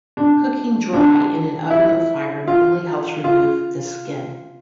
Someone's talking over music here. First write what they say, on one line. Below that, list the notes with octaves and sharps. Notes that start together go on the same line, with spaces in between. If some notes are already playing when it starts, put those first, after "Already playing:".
Cooking dry in an oven or fire normally helps remove this skin.
D4
D4
E4
F4
F4